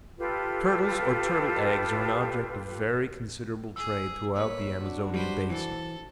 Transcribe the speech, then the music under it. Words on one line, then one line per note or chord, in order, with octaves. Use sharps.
Turtles, or turtle eggs, are an object of very considerable trade throughout the Amazonian basin.
F4 G4 A4 B4
G#4 E6
A#3 B4 C#5
D4 F#4
G3 B4 C5
E3 A4 C5